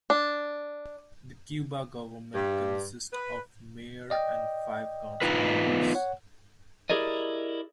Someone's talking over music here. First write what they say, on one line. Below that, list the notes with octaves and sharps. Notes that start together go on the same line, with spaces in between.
The Cuba government consists of a mayor and five council members.
D4
G2
B4
D5 D#5 G5
D#4 F4 B4
B3
C#5 F#5
E4 G4 G#4 A#4 D5 D#5